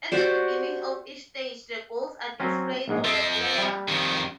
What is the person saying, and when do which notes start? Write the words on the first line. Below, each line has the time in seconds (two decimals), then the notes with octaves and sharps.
At the beginning of each stage the goals are displayed to the player.
0.12 F#4 G4 C5 D5
2.40 F#3 C4 C#4
2.88 A#1 G#2 G#3
3.04 F3 C4 A4 D#5 E5
3.58 G3
3.89 F2 D#3